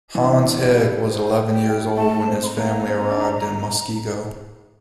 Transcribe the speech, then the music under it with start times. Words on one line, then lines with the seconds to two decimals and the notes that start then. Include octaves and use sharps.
Hans Heg was eleven years old when his family arrived in Muskego.
0.15 E3 D4
0.43 D4
0.60 G3 E4
1.07 C5
1.52 G5
1.97 A3 A5
2.28 C4
2.43 C6
2.46 A#5
2.58 A#3
2.88 C4
3.11 D4